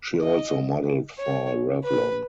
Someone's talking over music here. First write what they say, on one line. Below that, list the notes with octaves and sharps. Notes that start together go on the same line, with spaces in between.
She also modeled for Revlon.
D#5
C#5
B4